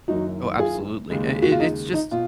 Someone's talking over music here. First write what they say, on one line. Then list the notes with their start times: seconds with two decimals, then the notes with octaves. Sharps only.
Oh, absolutely, it it it's just
0.08 F#1 F#2 D#3 F#3 D#4 F#4
0.59 F4 G#4
1.10 D#2 C#3 G#3
1.42 F#4
1.52 F4
1.60 D#4
1.94 D#4
2.11 B2 F4